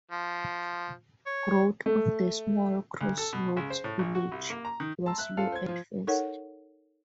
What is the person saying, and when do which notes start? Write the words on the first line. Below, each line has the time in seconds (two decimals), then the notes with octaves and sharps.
Growth of the small crossroads village was slow at first.
0.11 F3
1.27 C#5
1.86 A3
3.01 D2
3.18 A4
3.33 B2
3.57 C#2
3.70 C5
3.84 A2
3.99 A#1
4.15 F#4
4.32 C2
4.50 A#3
4.65 A#5
4.80 D#3
5.06 A5 A#5 C6 E6
5.18 E5 F#6
5.37 C#4 F4 A4 F5 A5
5.52 C5 G#6
5.66 F3 F4
6.07 D#4 A4 A#4 C#5 F#5